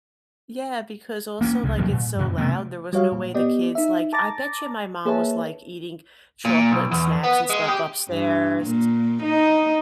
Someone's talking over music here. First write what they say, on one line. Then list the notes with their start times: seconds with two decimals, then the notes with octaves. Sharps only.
Yeah, because also like, it's so loud there was no way the kids like I bet you my mom was, like, eating chocolate and snacks and stuff upstairs
1.41 A#3 B3 C#4
1.63 C2 C#3 G3 G#3
1.78 G#2 F#3 G3 A#3
1.91 A#2
2.19 F#2 C#3
2.38 C3 A3 B3
2.93 G3 F#4 C#5 F5
3.12 A#2
3.34 B3 G4 D5 D#5
3.75 D#4 E5
4.13 A5 A#5 D6 A6 A#6
5.05 A#3 G#4 B4 C#5 E5 A5
6.45 A#2
6.72 B1
6.92 E2
7.24 B3
7.50 G#3
7.68 G4
8.09 G2
8.63 A#2
9.22 D#4